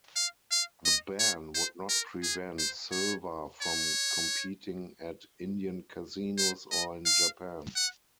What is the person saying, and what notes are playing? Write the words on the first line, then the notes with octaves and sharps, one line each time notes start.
The ban would not prevent Silva from competing at Indian Casinos or in Japan.
F5
F5
D#5
C#5
C5
A#4
G#4
C5
C#5
C#5
C5
D#5
F5
F#5